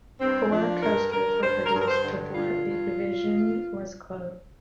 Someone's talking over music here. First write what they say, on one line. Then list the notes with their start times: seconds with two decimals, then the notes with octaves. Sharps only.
Four coasters were produced before that division was closed.
0.20 G2 C4
0.51 F3 D4
0.82 G2 A#4
1.12 G2 A#4
1.43 G2 C5
1.66 A#4
1.73 G2
1.81 A#4
1.88 C5
2.04 D3
2.34 G2 F4
2.64 G2